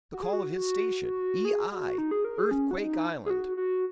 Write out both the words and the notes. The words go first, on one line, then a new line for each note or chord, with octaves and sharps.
The call of his station--"E. I."--Earthquake Island!
F#4
G#4
F#4
G#4
F#4
D#4
G#4
A#4
G#4
C#4
F#4
D#4
G#4
F#4
F#4